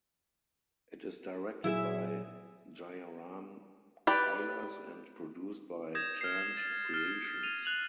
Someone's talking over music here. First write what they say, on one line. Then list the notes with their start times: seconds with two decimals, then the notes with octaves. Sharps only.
It is directed by Jayaram Kailas and produced by Chand Creations.
1.64 A#2 F#3 E4 G#4 E5
4.07 G4 B4 D5
5.95 D#6 G6 G#6 A#6 E7
6.21 F6 C7
6.57 A6
6.94 F6
7.43 D#7 F7
7.65 F#6 F7 F#7